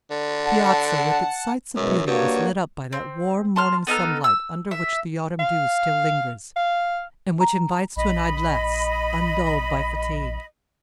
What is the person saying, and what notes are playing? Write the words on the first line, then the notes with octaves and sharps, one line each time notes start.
The piazza with its sights of beauty was lit up by that warm morning sunlight under which the autumn dew still lingers, and which invites to an idlesse undulled by fatigue.
D3
F#5 A5
F#2 B2 E3 G#3
G2 A#3 F#4 C#5
C4
A5 C6 F6
B3 D#4 A4 F6
E6
E5
F5
F5
A#5
A#1 D#5 B5